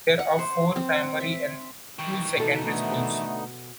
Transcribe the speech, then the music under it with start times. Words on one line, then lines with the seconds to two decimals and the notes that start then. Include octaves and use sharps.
There are four primary and two secondary schools.
0.19 F#5
0.39 C5
0.76 C4
1.20 E5
1.98 D#3 E3 G5 C#6
2.37 B2 D#4 A4
2.64 D3 A3 B3 D#4